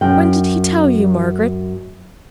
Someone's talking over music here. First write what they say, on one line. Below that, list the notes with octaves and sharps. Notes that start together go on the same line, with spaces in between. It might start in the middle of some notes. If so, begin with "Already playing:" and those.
'When did he tell you, Margaret?'
F#2 G5